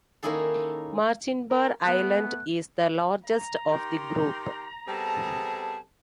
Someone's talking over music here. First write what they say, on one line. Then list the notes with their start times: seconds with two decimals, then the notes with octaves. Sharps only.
Marchinbar Island is the largest of the group.
0.23 D#3 A#3 C#4 E4 G#4 A4
1.50 A#4
1.84 A3 B3 F#6
3.24 A#5
3.72 D#3 G4 C6
4.88 C3 G3 B3 G#4 A4 A5